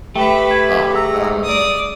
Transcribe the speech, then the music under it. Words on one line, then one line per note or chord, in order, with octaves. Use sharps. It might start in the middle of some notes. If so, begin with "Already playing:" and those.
Wow, um
A3 G4 B4 E5 G5
G#6
G#4 A#5 E6
D5 D#6